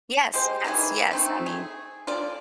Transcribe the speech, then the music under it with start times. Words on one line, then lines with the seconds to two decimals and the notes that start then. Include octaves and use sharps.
Yes, yes, yes, I mean
0.34 G#3 G4 C5
0.64 D#3 E3 E4 G#4
1.11 A3 C4 D#4
1.46 G#4
2.07 F4 A4 D5